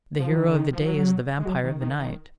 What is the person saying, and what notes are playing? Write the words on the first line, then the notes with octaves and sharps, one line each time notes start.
The hero of the day is the vampire of the night.
F3
D#3
D3
D#3
F3
F#3
F#3
G#3
F#3
D#3
D#3
D#3